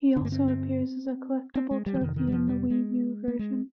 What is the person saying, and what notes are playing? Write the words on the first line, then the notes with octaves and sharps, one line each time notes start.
He also appears as a collectable trophy in the Wii U version.
G2 D3 A#3 D4
C4
C4
C4
G#3
G3
F3
F2 C3 D#3
D#3
G3
F3
G3
G#3
A#3
G#3